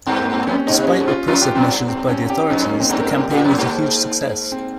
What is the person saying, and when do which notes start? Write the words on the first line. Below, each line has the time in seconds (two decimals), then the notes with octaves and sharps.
Despite repressive measures by the authorities, the campaign was a huge success.
0.06 G2 C4
0.20 A#3
0.33 C4
0.47 F2 C#4
0.67 G#2 D#4
0.77 C3
0.87 A#2 C#4
1.01 G#2
1.08 F4
1.27 F2 F4
1.41 F2 G4
1.55 F2 C4
1.68 G2
1.89 C4
2.09 C#4
2.30 G4
2.50 F2 D#4
2.60 C#4
2.70 A#3
2.80 C4
2.89 G2 C#4
3.00 A#4
3.10 A#4
3.20 G4
3.31 A#2 G4
3.44 F2
3.51 A#3
3.57 G2
3.71 G#2
4.52 C4